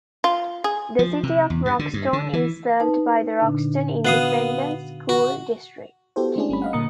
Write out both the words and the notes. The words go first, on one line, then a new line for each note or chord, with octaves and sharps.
The City of Roxton is served by the Roxton Independent School District.
F4
G#4
F3
C3
E2
G2
D3
G2
D3
E3
D#4 B4 A5
A#2 D3 D4
B3 F#4 F5 D#6 F#6
F#4
B3 E4 F#4 G4 A4 C5
G#3 A3 C#4 D4 E4 G#4
G1 G3 A3 C4 C#4 B5
D#5 F5 F#5
A#2 D3 A#3 A#5 D#6 C#7